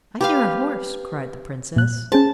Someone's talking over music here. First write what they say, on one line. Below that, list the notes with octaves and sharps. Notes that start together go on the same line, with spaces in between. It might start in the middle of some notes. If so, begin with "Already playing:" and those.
'I hear a horse,' cried the princess.
G4 B4 F5
A#2 F#6
C#4 G#4 C5 A5